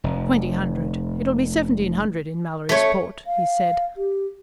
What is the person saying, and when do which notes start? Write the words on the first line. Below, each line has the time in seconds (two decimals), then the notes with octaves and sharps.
"Twenty hundred; it'll be seventeen hundred in Mallorysport," he said.
0.04 F1
2.69 A3 C#5
3.27 F5
3.97 G4